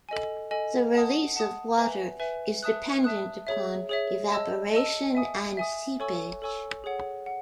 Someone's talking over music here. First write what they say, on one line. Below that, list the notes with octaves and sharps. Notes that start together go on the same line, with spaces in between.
The release of water is dependent upon evaporation and seepage.
A4 D#5 G#5
A4 D#5 G#5
F#5 A5 D#6
F#5 A5 D#6
B4 E5 G#5
B4 E5 G#5
E5 A5 D#6 F#6
E5 A5 D#6 F#6
G#4 C#5 E5
G#4 C#5 E5
D#5 A5 E6
D#5 A5 E6
E5 G#5 D#6
E5 G#5 D#6
A4 C#5 G#5 C#6 E6
A4 C#5 G#5 C#6 E6
G#4 C#5 F#5
F#5